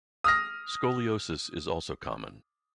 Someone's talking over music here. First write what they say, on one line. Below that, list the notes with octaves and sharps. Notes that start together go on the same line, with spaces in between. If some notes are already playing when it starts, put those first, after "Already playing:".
Scoliosis is also common.
D#6 F6 A#6